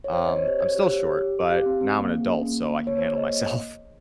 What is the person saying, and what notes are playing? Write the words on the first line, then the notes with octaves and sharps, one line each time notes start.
um, I'm still short, but now I'm an adult, so I can handle myself.
C#5
C4 C5
D#5
C4
C#5
G4 C5
C4 C#5
G4
G4
G4
G4
G4
G4 F5
C4
C4
A#3
G#4
C#4
A#3
A#3
A#3
A#3 C#5
C5
G#4
C#5
A#3 D#5